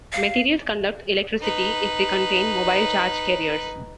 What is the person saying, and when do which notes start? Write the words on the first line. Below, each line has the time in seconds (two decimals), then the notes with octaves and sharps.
Materials conduct electricity if they contain mobile charge carriers.
0.12 F5
1.41 D#4 B4